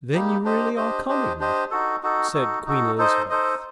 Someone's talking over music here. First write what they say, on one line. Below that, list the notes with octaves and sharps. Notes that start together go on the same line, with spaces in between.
"Then you really are coming?" said Queen Elizabeth.
G3 A#3 D#4 G4
D4 G4 C5 D#5
D4 G4 C5 D#5
D4 G4 C5 D#5
D4 G4 C5 D#5
D#4 F#4 A4
D#4 F#4 A4
D#4 F#4 A4
D#4 F#4 A4
D#4 A4 C5 D#5
D#4 A4 C5 D#5